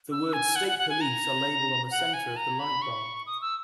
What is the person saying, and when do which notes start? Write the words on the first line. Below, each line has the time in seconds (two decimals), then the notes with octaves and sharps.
The words "State Police" are labelled on the center of the light bar.
0.11 E6
0.33 G#5
0.56 F#5
0.68 F#5
0.79 F#5
0.89 G#5
1.01 A#5
1.91 F#5
2.14 G#5
2.37 A#5
2.59 B5
2.82 C#6
3.26 D#6
3.41 E6